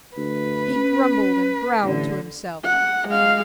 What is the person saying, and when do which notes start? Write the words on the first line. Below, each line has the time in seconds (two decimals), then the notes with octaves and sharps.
He grumbled and growled to himself.
0.17 D2 B4
0.76 C#4
1.83 A1 D3
2.65 F#5
3.08 G#3 F5